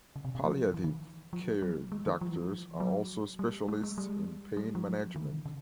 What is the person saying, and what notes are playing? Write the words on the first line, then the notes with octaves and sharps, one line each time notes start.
Palliative care doctors are also specialists in pain management.
C#3
C3
C3
F3
E3
D#3
F3
F#3
G#3
E3
F3
E3
F3
F#3
G3
G#3
G#3
G3
G#3
G3
G3
F3
F#3
D#3
D3
D#3
C#3